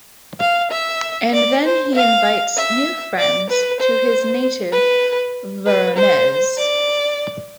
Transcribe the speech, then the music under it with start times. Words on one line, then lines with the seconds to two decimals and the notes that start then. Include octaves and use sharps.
And then he invites new friends to his native Voronezh.
0.40 F5
0.71 E5
1.33 D5
1.65 C5
1.95 F5
2.58 E5
3.19 D5
3.50 B4
3.80 C5
4.73 B4
5.66 B4
5.96 C5
6.58 D5